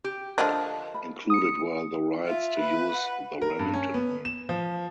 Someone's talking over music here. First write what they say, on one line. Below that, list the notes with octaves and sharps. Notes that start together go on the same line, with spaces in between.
Included were the rights to use the Remington name.
G4
D3 F3 D4 A4 A#4 D#5 A5
B5
D#6 C#7
F4 E5
B4
F#5
A#4
G2
C#4
B3
E7
F3